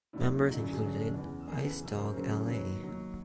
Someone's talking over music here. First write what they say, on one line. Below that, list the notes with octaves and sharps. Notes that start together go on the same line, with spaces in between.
Members included Ice Dog, L. A.
D#2 D#3 F#3 D4 E4
F#2 D3 F#3 D#4 F4
E4 F#4
F#4 G#4
F#2 D3 F#3
E2 C#3 E3
E2 C#3 E3 G#4 A#4
A4 B4
F#2 C#3 F#3
A#4 C5
F#2 C#3 F#3 A#4 C5
D#2 D#3 F#3 B4 C#5
D#2 D#3 F#3